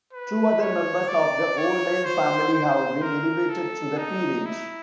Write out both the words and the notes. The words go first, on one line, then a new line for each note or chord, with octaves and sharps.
Two other members of the O'Neill family have been elevated to the peerage.
B4
C#5
D5
C#5
C5
C5
A#4
A4
D#4
E4